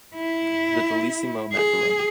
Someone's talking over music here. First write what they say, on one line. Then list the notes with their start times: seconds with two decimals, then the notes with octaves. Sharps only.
The Dullissimo Maccaroni.
0.15 E4
1.53 G#4